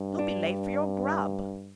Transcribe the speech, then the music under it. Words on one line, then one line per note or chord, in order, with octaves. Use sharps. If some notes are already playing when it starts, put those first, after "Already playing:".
You'll be late for your grub!'
Already playing: G2
D4